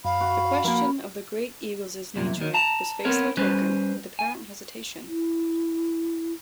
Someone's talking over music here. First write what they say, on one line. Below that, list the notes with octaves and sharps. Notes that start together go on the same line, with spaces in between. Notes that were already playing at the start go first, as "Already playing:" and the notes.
The question of the Great Eagles' nature was faced by Tolkien with apparent hesitation.
F#2 F5 B5
F#4
F3 A#3 A#4 B5
C2 F#2 A#2
D#2 D#3
A5 A#5
B3 C4 A#4 C#5
G3 C#4 B4 C5
G#5
E4